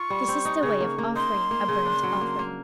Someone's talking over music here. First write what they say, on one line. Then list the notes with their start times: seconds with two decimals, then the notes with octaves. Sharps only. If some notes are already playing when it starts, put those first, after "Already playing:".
This is the way of offering a burnt-offering.
Already playing: F4 C#6
0.10 G3
0.28 C4
0.45 D#4
0.63 C#3
0.80 A#3
0.98 A#3
1.16 D#4 C6
1.34 A#3
1.51 A#3
1.68 C#3
1.86 D4
2.03 F#3
2.21 A#3
2.39 A#3